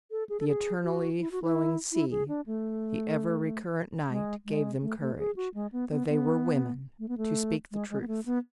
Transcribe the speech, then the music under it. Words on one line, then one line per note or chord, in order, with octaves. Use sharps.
The eternally flowing sea, the ever-recurrent night gave them courage, though they were women, to speak the truth.
A4
G#4
A4
G#4
F#4
E4
F#4
E4
E4
G#4
D4
A3
G#3
G#3
A3
A3
G#4
F#4
G#3
B3
B3
B3
A3
B3
A3
G#3
G#3
B3
A3
B3